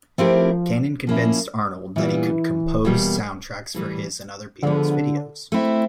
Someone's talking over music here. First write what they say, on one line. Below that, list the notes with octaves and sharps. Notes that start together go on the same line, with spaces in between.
Cannon convinced Arnold that he could compose soundtracks for his and other people's videos.
F3 A3 C4 E4 G4 A#4
F3 A#3 C#4 E4
A#2 E3 G3 B3
E2 B2 G3 A#3
A2 E3 G3
D3 F3 G#3 B3
A3 C4 E4